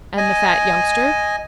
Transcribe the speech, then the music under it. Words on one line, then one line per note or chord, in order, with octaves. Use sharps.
"And the fat youngster?"
D#5 G#5